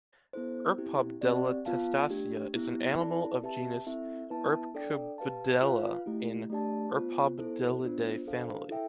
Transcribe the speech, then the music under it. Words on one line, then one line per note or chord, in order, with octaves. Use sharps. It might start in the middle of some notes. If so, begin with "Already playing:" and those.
Erpobdella testacea is an animal of genus Erpqbdella in Erpobdellidae family.
B3 E4 A4 C5
C4 E4 G4
C4 G4 D5
B3 F4 B4 F5 A5
A3 D4 G4
B3 E4 G4
C4 E4 A4 D5 A5
C4 G4 B4 E5 A5
C4 E4 A4 E5
B3 E4 B4 E5 A5
D4 A4 D5 G5
G4 B4 F5 A5
F4 B4 F5
A3 E4 G4
A3 D4 G4 D5 A5
B3 F4 C5
B3 E4 A4 C5
B3 D4 F4 C5
D4 A4 C5 F5
E4 A4 E5 G5